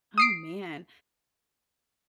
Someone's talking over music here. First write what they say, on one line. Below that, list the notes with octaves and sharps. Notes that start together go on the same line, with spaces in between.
Oh, man.
D#6 C7 D7